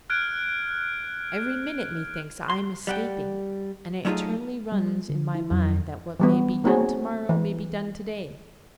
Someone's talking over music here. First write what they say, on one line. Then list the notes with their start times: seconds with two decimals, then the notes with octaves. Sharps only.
Every minute, methinks, I am escaping, and it eternally runs in my mind, that what may be done to-morrow, may be done to-day.
0.10 F6 F#6 G#6 D7
2.50 C6
2.87 G3 F#5 G5
4.05 F#3 G3 A3 D#4 F4 G#4
4.72 G3
5.09 D3
5.35 E4
5.51 F2 F#3
6.20 E3 G3 B3
6.64 A#3 C4 D#4 F#4 G#4 C#5
7.29 E3